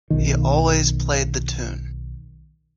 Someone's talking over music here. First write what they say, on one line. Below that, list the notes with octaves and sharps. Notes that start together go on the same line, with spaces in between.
He always played the tune.
B1 D#3